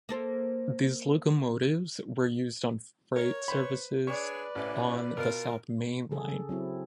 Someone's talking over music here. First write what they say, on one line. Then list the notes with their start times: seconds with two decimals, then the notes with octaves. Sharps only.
These locomotives were used on freight services on the South Main Line.
0.09 A#3 A4 C5
3.16 A#4 C#5
3.48 B4 C5 B5
4.07 D4 G#4 B4 C#5 D5 C#6
4.55 A1 C3 E3 C#4
5.17 B2 F4 A#4
6.11 C#3 G#4 A4
6.49 F#3 C4 E4